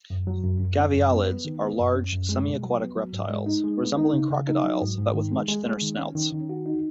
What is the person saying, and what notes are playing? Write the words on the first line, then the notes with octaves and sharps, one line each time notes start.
Gavialids are large semiaquatic reptiles, resembling crocodiles, but with much thinner snouts.
F#2
F#3
F#2
F#2
C#4
F#2
B3
B3
D#3
B3
F#2
C#4
F#2
G#3
B2
F#3
B3
F#3
G#2
G#3
D#4
G#3
B3
D#4
C#3
C#3
D#4
F#3
G#2
G#2
D#3
G#3
G#3
G#3
D#3
C#4
D#3
D#3
F#4
D#4